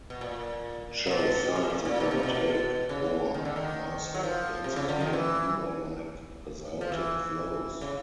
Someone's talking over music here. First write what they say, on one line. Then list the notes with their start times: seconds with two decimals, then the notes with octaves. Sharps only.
It shows signs of a metallic core, a Mars-like density and lunar-like basaltic flows.
0.10 B2
0.21 A#2
1.07 C3
1.11 B2
1.56 C3
1.70 A#2
1.85 A#2
2.00 B2
2.11 C3
2.23 B2
2.89 C#3
3.34 D#3
3.45 D3
3.56 D#3
4.14 F#3
4.23 F3
4.64 C3
4.76 C#3
4.89 D3
5.01 D#3
5.13 E3
6.81 F3
6.92 E3
7.81 C#3